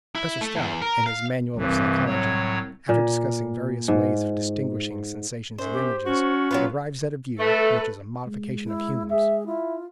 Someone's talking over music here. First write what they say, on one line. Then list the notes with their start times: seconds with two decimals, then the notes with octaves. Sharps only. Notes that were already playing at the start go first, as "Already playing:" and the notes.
Professor Stout, in his "Manual of Psychology," after discussing various ways of distinguishing sensations and images, arrives at a view which is a modification of Hume's.
0.15 E4
0.41 A3
0.55 E2
0.82 A#4
1.06 F5
1.58 C2 G2 E3
2.06 A2 F#3 C#5
2.89 A#2
3.88 G#2
5.58 F#2 C5
5.73 G4
6.06 C#4 F#4
6.51 F#3 B3 F4 B4
7.39 A3 A4 B4
8.27 G#3
8.65 E4
9.10 G#4 E5
9.47 E4 F4